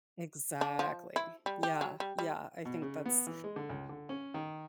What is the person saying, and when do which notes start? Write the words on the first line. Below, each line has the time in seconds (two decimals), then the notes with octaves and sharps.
Exactly, yeah, yeah, I think that's
0.61 D4
0.79 F3
1.16 E4
1.46 G3
1.63 G4
1.81 F#3
2.00 G3
2.18 G3
2.65 B2
2.82 C#3
3.06 B3
3.27 E3
3.44 G#3
3.56 D3
3.70 C#2
3.89 D3
4.09 C#4
4.34 D#3